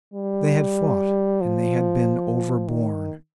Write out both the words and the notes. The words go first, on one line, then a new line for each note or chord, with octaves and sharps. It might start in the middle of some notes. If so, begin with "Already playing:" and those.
They had fought and they had been overborne.
G3
F3
D#3